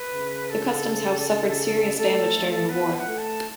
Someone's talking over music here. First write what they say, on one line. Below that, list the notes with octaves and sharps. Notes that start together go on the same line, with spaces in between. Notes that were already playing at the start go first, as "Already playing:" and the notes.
The Customs House suffered serious damage during the war.
Already playing: B4
C#3
A4
A3 A4
B3 B4
A5
F#5
A3
A5